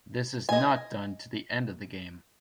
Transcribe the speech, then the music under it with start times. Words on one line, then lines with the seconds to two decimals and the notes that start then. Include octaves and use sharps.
This is not done to the end of the game.
0.49 D#5 G#5